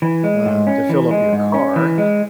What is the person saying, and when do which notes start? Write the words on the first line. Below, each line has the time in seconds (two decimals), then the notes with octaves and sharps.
uh, to fill up your car,
0.02 E3
0.24 G#3
0.46 G#2
0.67 C#4
0.89 E3
1.11 G#3
1.33 G#2
1.54 C#4
1.76 E3
1.98 G#3